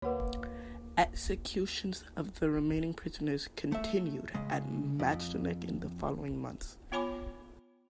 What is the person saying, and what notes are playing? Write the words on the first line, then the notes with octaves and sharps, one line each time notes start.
Executions of the remaining prisoners continued at Majdanek in the following months.
D2 A#3 F#4 B4 C#5 F#5 D6
A3 E5
C#3 G#3
F2
B3 F4 C#5 G#5 B5 D6